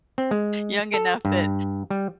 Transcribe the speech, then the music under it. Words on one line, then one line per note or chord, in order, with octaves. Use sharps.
young enough that,
C4
G#3
A4
G2
G3